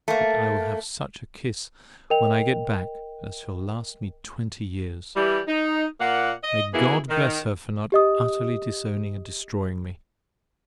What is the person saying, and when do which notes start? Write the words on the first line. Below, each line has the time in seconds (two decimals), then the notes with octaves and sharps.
But I will have such a kiss when I get back, as shall last me twenty years. May God bless her for not utterly disowning and destroying me!
0.08 A3 A#3
2.10 A#4 D#5 G5 F7
5.16 E3 G3
5.48 D#4
6.01 A#2 A#3 F#5
6.44 D#5
6.74 B2 E3 A#3 B3 E4 G#4
7.10 D#3
7.92 G4 D#5 D#6